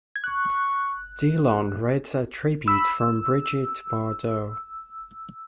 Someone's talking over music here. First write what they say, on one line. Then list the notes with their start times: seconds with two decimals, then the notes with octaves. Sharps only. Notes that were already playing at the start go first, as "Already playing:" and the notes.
Delon read a tribute from Brigitte Bardot.
0.16 G#6
0.24 C#6 F#6
2.68 B5 E6